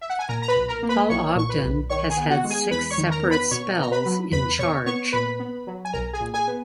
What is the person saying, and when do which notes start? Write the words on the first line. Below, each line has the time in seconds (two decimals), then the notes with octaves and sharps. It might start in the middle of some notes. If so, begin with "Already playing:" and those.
Paul Ogden has had six separate spells in charge.
0.01 E5
0.10 F#5
0.19 G#5
0.28 A#2 A#4 A#5
0.42 A#5
0.48 B4 B5
0.56 B1
0.68 A#4 A#5
0.83 A#3
0.89 B4 B5
1.09 B1 C#5 C#6
1.36 A#2 C#6
1.49 B4 B5
1.63 B1
1.90 D#3 C#5 C#6
2.10 G#4 G#5
2.17 B3
2.30 F#4 F#5
2.44 G#3
2.50 G#4 G#5
2.71 E2 B4 B5
2.90 C#5 C#6
2.98 D#3
3.10 A#4 A#5
3.25 B3
3.31 B4 B5
3.51 B2 C#5 C#6
3.79 B3 A#5
3.92 B4 B5
4.05 F#3
4.32 E2 B4 B5
4.59 B2 C#5 C#6
4.86 B3 C#5 C#6
5.12 A#2 B4 B5
5.40 B3
5.67 F#3
5.85 G#5
5.93 B1 A#4 A#5
6.13 G#4 G#5
6.20 A#2
6.34 G#4 G#5
6.48 B3